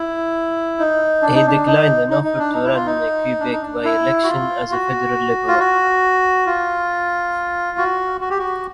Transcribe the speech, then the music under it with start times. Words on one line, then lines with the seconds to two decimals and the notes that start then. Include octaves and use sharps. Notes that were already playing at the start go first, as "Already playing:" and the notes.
He declined an offer to run in a Quebec by-election as a federal Liberal.
Already playing: E4
0.79 D#4
1.22 D4
1.34 D#4
1.47 D4
1.66 D#4
2.10 D#4
2.24 D#4
2.39 D4
2.53 D#4
2.64 E4
2.75 F4
2.86 D#4
3.40 D4
3.52 D#4
3.62 D4
3.84 E4
4.23 F#4
4.28 F4
4.72 F#4
5.48 F4
5.59 F#4
6.46 F4
7.78 F#4
8.21 F#4
8.30 G4
8.38 F#4